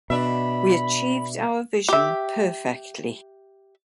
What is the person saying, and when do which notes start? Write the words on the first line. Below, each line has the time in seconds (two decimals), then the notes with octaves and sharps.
We achieved our vision perfectly.
0.10 B2 D4 E5 B5
1.89 G4 E5